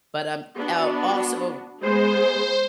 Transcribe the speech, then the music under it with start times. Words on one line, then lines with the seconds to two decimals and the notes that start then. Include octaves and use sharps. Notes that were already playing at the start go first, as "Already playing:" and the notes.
But um, el also,
0.56 B3 D4 F#4
1.83 G#3 B3 G#4 C5